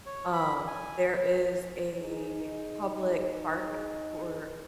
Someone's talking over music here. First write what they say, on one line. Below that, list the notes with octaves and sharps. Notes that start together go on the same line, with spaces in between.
Um, there is a public park or,
C#5
B5
G#5
D#4 G#4